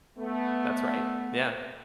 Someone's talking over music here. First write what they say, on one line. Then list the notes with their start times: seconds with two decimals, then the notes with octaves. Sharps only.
That's right. Yeah.
0.18 A3 B3